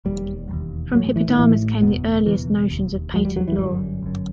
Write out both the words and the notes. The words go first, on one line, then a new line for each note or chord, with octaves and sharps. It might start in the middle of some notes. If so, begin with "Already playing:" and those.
From Hippodamus came the earliest notions of patent law.
E1 D#2 G3
E1 D#2
A1 A2 F#3
E3
D#3
A1 A2 E3
F#1 E2 B2 B3
F#1 E2 B2 E3
E1 D#2
E1 D#2 F#3
G3
F#3
E3
G1 F#2 G3
G1 F#2